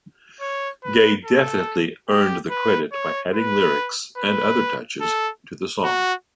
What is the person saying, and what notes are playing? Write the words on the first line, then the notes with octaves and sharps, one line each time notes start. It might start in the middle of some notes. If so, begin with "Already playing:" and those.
Gaye definitely earned the credit by adding lyrics and other touches to the song.
C#5
B4
A4
G4
B4
C#5
B4
B4
A4
F#4